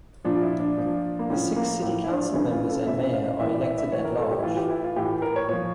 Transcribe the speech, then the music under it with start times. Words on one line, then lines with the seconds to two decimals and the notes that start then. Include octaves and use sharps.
The six City Council members and Mayor are elected at-large.
0.24 A#2 F3 D4
0.43 E4
0.60 D4
0.78 A#2 F3
1.19 A#3
1.30 A2 F3 C#4
1.56 A#3
1.82 A2 F3 A#3
2.04 E4
2.09 D4
2.34 C#3 E3 E4
2.52 F4
2.69 A4
2.86 C#3 E3 E5
3.13 F5
3.39 A2 E3 E5
3.53 D5
3.65 E5
3.78 E5
3.92 A2 E3 C#5
4.05 A#4
4.18 A4
4.31 G4
4.38 E4
4.43 A2 E3 F4
4.57 G4
4.70 E4
4.84 F4
4.96 A2 E3 G4
5.22 A#4
5.36 C#5
5.48 A#2 F3 C#5